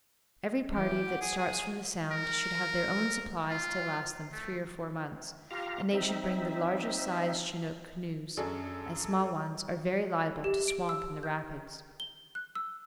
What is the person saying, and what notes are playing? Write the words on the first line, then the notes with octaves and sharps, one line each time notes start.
Every party that starts from the Sound should have their own supplies to last them three or four months, and they should bring the largest size chinook canoes, as small ones are very liable to swamp in the rapids.
E3 G4
F#5
G#4
G#4
A#4
F4
A3
F4 G4 F5 A#5
C4 D#4 E5
F#2 F#3 D4 G#4 A4
G4
D7
E6
G6
G7
F#6
E6